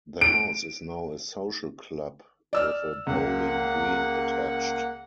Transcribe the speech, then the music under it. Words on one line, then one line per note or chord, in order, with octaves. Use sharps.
The house is now a social club with a bowling green attached.
D7
D5 E6 F6
C#2 A#3 F#5